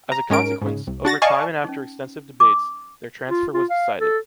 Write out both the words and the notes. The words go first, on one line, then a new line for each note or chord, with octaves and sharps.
As a consequence, over time and after extensive debates, their transfer was decided.
A#5
G#2 C#4 A#4 D7
G#2 C#3
C2
D4 F#4 A6 A#6
D5 D#5 F5 G#5 A5 C#6
C#4 D#4
D6
F4
F4
F5
A4